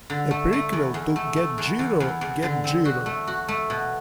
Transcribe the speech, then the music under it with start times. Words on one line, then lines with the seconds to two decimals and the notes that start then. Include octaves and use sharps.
A prequel to Get Jiro!, Get Jiro!
0.10 D3
0.31 A3
0.53 A3
0.73 E2
0.94 E2
1.16 A3
1.36 A3
1.58 E2
1.79 E2
2.00 E2
2.21 E2
2.43 D3
2.64 C4
2.85 F#4
3.06 A3
3.27 F#4
3.48 A3
3.70 B2